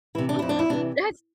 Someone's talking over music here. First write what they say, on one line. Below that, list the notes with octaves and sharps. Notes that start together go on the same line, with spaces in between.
Mhm. That's
C3 E3 E4
D4
F2 E4
D4
E4
C3 E3 D4